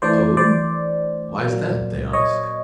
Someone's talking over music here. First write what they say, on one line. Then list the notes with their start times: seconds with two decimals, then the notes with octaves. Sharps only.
"Oh! why's that?" they ask.
0.02 E3 A3 D4 C5 D5
0.37 C5 D5
1.44 A#2 F#3 A#3
2.13 C#5 D#5